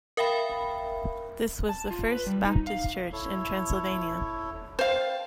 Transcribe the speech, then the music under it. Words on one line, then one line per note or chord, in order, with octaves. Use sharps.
This was the first Baptist church in Transylvania.
A#4 E5 F5 G5 B5
A5
F4
B4
G3
D#4
F5
E4 A4 C#5
C5 F5 G5 A5